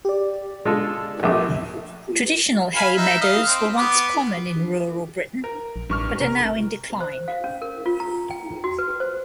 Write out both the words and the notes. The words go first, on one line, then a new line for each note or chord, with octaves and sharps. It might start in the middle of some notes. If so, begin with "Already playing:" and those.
Traditional hay meadows were once common in rural Britain, but are now in decline.
G4 D5
G#3 F4 A4
A#1 A3 D6
F5 G#5 B5
D#4 E5
D#5 F5
C4
B3 D6
A#4
A#1
A1 G2 C#6 F6
C3 A#4
C5
F5
C#4
A#4
F4
A#5
G5
F#4
B4
C5